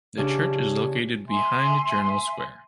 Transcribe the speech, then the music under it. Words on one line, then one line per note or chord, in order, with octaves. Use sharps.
The church is located behind Journal Square.
C#3 D4 G4
E5 G#5 C6